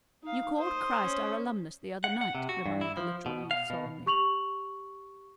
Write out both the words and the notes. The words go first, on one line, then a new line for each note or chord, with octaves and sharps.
"You called Christ our alumnus the other night," reminded the literal youth solemnly.
D#4 F5
C5 D#5
C#4
F#5
F#5
C3
F#4
G2
E4
F3
B2
F5
B2
G4 C#6 F7 F#7